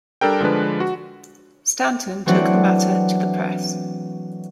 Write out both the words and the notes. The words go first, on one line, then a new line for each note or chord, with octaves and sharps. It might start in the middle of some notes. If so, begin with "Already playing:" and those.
Stanton took the matter to the press.
G3 D4 A4 A#4 G5
D3 F3 G#3 D4 B4
F#4
E3 F#3 A3 C4 D4 F#4